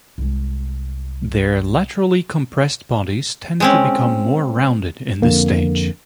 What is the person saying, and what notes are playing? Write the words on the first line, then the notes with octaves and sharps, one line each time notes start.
Their laterally compressed bodies tend to become more rounded in this stage.
C2 G#3
G#3 C4 C#4
F2 D3 A#3